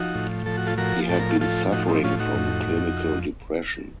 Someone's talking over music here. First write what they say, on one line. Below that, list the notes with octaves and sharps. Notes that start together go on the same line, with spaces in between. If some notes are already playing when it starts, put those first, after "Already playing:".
He had been suffering from clinical depression.
Already playing: F3 D#4 F#4
A2
F3 A4
F#4
F4 A4
F3 F#4 A#4
A2 A4
A#4
F4 A4
F3 F4 A4
A2 D#4 F#4
C4 D#4
A2 C#4 F4
D#4 F#4
F2
F2